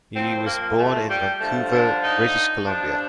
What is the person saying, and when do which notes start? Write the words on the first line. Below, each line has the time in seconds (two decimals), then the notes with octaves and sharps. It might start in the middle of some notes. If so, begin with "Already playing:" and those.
He was born in Vancouver, British Columbia.
0.15 A#2 F3 C4
0.46 A#3
0.78 A3
1.09 G3
1.40 G2 D3 F3 A3
1.72 D4
2.03 D#4
2.66 G2 F3 D4